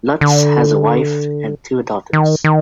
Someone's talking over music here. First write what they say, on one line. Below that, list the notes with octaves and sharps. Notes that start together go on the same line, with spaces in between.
Lutz has a wife and two daughters.
D3
D#3
D#3